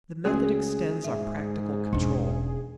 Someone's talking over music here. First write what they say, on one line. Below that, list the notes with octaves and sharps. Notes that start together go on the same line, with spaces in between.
The method extends our practical control.
C#2 A3 C#4 F#4 G#4
G#2 E5
E1 C#4 D4